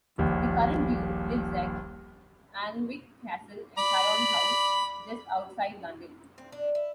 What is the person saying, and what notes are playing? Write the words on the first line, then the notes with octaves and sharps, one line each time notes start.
The current duke lives at Alnwick Castle and Syon House, just outside London.
D#1 A#1 D#2
D5 B5
C4
D4
E4